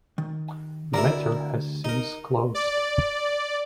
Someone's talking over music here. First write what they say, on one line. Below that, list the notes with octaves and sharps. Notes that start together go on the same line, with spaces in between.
Matter has since closed.
D#3
D2 E4 A#4 D5 A#5
D#4 A#4
D5